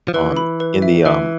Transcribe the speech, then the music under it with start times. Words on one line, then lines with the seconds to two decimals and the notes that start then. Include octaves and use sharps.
on in the, um,
0.08 F3
0.14 E3 B4
0.37 B5
0.60 B4
0.82 E5
1.05 E3 E5